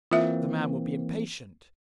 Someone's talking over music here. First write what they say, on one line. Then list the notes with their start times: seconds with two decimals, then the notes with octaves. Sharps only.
'The man will be impatient.'
0.12 E3 A#3 C4 F4 E5